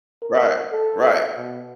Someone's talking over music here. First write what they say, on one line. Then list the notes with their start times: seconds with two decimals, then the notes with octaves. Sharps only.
right. Right.
0.22 A#4
0.72 A4
1.37 B2